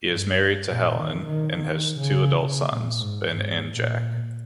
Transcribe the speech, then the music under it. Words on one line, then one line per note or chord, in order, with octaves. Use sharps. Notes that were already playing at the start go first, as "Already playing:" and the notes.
He is married to Helen and has two adult sons, Ben and Jack.
G2
A#2
D#3
D#3
D#3
C#3
C#3
A#2
G#2
G#2
A#2